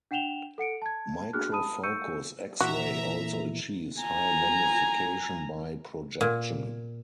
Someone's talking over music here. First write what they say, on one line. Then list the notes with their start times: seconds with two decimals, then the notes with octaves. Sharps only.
Microfocus X-ray also achieves high magnification by projection.
0.11 D4 F#5 G5 E7 F7 G7
0.58 A4 F#5 C#7 D7
0.82 A5 G#6
1.33 D4 F#4 G#4 F6 F#6
1.52 A5 B5 D#6 D#7
1.83 C#6 E6 G6 C#7 D#7
2.60 A#2 E3 F#4 E5 A#5
4.01 G#5 A#5
6.21 A#2